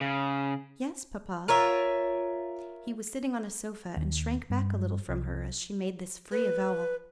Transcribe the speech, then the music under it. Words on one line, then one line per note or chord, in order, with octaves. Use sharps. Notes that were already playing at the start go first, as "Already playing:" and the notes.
"Yes, papa." He was sitting on a sofa and shrank back a little from her as she made this free avowal.
C#3
F4 A#4 C#5 E5
D#2
G2
C2
B4